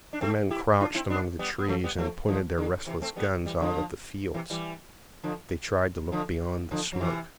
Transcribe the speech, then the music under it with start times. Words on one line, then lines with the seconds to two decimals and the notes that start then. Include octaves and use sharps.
The men crouched among the trees and pointed their restless guns out at the fields. They tried to look beyond the smoke.
0.13 D4
0.21 A3 C4
0.50 E4 G4
0.80 D4 F4
0.95 C4 E4
1.10 B3 D4
1.39 G3 B3
1.59 B3
1.68 F3 A3
1.84 G3 B3
1.98 F3 A3
2.28 D3 F3
2.58 D3
2.86 C3 E3
3.02 A3 C4
3.16 G3 B3
3.46 E3 G3
3.61 D3 F3
4.34 C3 E3
4.50 E3 G3
5.23 D3 F3
6.12 D3 F3
6.71 D3 F3
6.92 F3
7.01 C3 E3